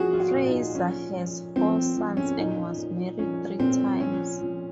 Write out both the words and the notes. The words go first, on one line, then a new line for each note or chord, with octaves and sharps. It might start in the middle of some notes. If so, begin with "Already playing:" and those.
Frazier has four sons and was married three times.
Already playing: F3 C#4 F#4 G#4
F4
F#4
A#2
D#4
F3 C#4
F3
F3 C4
F3
C#4
A#2 D#4
A#2
F3 C#4
A#2 C4
F3 C#4
F3